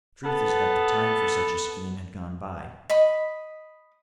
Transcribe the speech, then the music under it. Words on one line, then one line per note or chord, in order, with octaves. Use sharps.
The truth is that the time for such a scheme had gone by.
B3 A4
D#5 B5